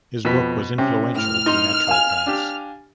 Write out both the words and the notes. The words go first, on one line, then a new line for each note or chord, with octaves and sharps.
His book was influential to naturopaths.
F2 B2 B3 B6
C3 C#4
A2 F6
D#4 C6
F5 G#5
D4 G4